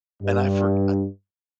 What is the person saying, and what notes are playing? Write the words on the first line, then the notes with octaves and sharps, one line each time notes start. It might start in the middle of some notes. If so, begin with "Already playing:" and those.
And I forg I
G2